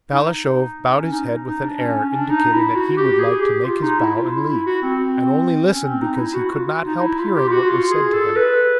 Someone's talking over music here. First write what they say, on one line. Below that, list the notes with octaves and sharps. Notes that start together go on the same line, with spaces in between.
Balashev bowed his head with an air indicating that he would like to make his bow and leave, and only listened because he could not help hearing what was said to him.
D#4
C#4
D#4
D#4
D4
C#4
C#4
D4
D#4
E4
F#4
G4
G#4
G4
F4
D#4
E4
F4
E4
E4
F#4
C4
C#4
C4
D#4
E4
F#4
F4
D#4
E4
F4
G4
F4
F#4
F4
G#4
A4
B4